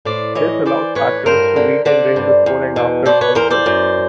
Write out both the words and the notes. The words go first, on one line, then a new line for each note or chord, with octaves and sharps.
This allowed patrons to eat and drink before and after concerts.
A2 C5 D5
E3 C#5 D#5
E3 C5 D5
A2 B4 C#5
G2 A#4 C5
D3
D3 C5 D5
G2
E2
B2
B2 C5 D5
B4 C#5
E2 A#4 C5
C5 D5
F#2